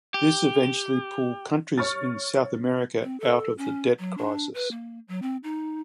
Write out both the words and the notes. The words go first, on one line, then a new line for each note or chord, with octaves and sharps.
This eventually pulled countries in South America out of the debt crisis.
G4
C#5 C#6 F6 A6
C4
A4
C#4
F#3
D4
B4
A#3
F#3
C4
D#4